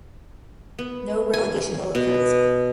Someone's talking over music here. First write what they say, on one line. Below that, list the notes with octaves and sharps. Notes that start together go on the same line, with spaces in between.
No relegation will occur this year.
B3
G#5
B2